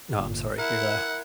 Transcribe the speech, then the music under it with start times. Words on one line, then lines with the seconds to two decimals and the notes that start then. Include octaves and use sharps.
No, I'm sorry to hear that.
0.18 G1 A#2
0.58 E4 A#4 F#5